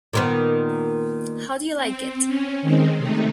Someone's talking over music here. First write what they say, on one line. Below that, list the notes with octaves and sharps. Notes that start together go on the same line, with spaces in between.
How do you like it?
A#2 D#3 B3
C4
C#4
D#3 G#3 C4
C3 A3 D#4